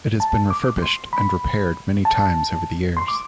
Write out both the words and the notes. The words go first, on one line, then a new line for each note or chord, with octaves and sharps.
It has been refurbished and repaired many times over the years.
A5
D6
C6
B5
A5
C6
D6